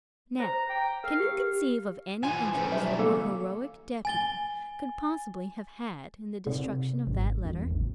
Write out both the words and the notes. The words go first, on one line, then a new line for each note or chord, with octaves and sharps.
"Now can you conceive of any interest that your heroic deputy could possibly have had in the destruction of that letter?"
C5 A#5
G5
A#4 F5
G4
E3 F3 G#5
B1 D#3 C#4 A4 B4
F3 G3 E5
A#3 A4
G#5 A6 G7
C3
G#1
E2
A1